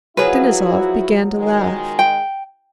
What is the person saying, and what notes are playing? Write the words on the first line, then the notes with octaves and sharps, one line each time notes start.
Denisov began to laugh.
F3 F#3 B3 E4 F#4 G#4 B4
D#3 G#3
G5